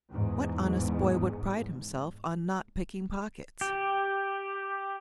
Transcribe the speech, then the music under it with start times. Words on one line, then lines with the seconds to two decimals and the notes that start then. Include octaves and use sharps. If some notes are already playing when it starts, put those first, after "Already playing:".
What honest boy would pride himself on not picking pockets?
0.11 E2 G#2
3.61 G4